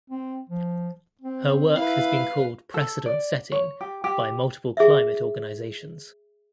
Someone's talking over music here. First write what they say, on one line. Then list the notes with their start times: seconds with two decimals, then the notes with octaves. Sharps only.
Her work has been called "precedent setting" by multiple climate organizations.
0.10 C4
0.49 F3
1.22 C4
1.75 E4 B4 F5
2.74 A4
3.06 D5
3.52 C#5
3.81 G4
4.04 G4
4.77 G#4 E5